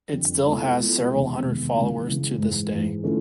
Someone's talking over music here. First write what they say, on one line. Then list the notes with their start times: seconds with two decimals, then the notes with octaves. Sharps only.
It still has several hundred followers to this day.
0.12 F2 D3 G3 C4
0.45 F3 G#3 B3 E4 A4
0.77 F3 G#3 B3 E4 A4
1.10 E2 C3 D#3 G#3 B3
1.42 E2 C3 D#3 G#3 B3
1.74 C#3 E3 G#3 C#4
2.07 C#3 E3 G#3 C#4
2.38 G#2 E3 G#3
2.71 G#2 E3 G#3
3.03 D3 F3 A3 C#4 E4